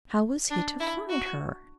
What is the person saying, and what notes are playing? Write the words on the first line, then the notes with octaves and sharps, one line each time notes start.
How was he to find her?
D4
E4
F#4